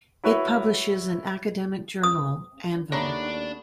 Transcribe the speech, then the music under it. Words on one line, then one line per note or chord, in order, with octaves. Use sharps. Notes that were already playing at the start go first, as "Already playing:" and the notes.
It publishes an academic journal "Anvil".
E4 F#4 B4 C#5 E5
D#6
D#2 A3 B3 D4 F#4 C#5 A#5